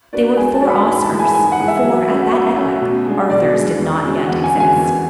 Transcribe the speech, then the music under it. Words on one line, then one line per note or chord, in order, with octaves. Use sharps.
They were four Oscars; for, at that epoch, Arthurs did not yet exist.
D4 F#4 B4 D5
G#3 G#5
A5
D4 F#4 B4 D5
B5
G#2 G#5
B5
A5
E3 G#3
G#5
G#2 G#5
F#5
E3 G#3
E5
F#3
A3 C#4 F#4
F#5
F#3 E5
A3 C#4 F#4
B2
G#3 D4
B2 D5
G#3 D4
E2
D3 G#3 C#4 F#4
E2 F#5
G#5
D3 G#3 C#4 F#4
G#5
E2